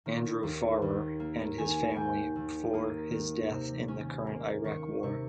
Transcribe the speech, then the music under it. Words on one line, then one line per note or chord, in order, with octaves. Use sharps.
Andrew Farrar and his family before his death in the current Iraq War.
D#3
D#2
D#2
A#3
D#3 G#5
G#5
D#2 G5
D#2
A#3 D#6
D#3
C3
C#4
A#3
D#3 C#6
C3 C#6